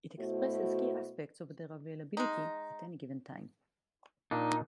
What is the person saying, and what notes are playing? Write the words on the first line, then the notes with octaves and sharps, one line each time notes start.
It expresses key aspects of their availability at any given time.
B2 A3 E4 F#4 C5
G#3 D#4
A#2 D4 D#4